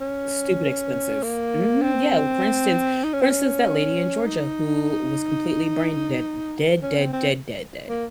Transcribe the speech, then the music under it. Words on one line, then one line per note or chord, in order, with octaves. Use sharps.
stupid expensive. Mhm. Yeah, for instance for instance, that lady in Georgia who was completely brain dead. Dead, dead, dead, dead, dead,
C#4
A#3
C4
D#4
C#4
C4
C#4
D#4
C#4
C4
C4
A#3